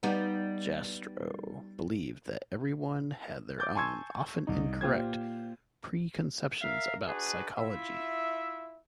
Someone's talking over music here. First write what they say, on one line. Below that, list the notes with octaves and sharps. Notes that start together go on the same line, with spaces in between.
Jastrow believed that everyone had their own, often incorrect, preconceptions about psychology.
G3 B3 D#4
D6 G6 A6
G#5 A5 C6 C#6 E6 G#6
C2 D#4
A#2 F4 G4 C5 G#6
A#4 E5 F5
D4 F#4 G#4 B4
E4 F4 E5